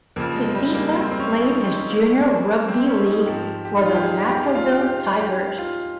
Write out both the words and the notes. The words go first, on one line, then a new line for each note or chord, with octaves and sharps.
Fifita played his junior rugby league for the Matraville Tigers.
F2 C#3 F3 A#3
G#3
G3
A#3
C4
C4
C#4
D#4
C4
C#4
A#3
G#3
A#3
A#3
G#3
A#3
C4
C#4
D#4
G#2 F3 G4
G4
D#4
F4
G4
G#4
G4
G4
F4
G4
G4
F4